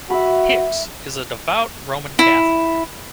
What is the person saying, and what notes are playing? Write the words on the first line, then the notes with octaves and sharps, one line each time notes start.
Hicks is a devout Roman Catholic.
F#4 E5 B5
E4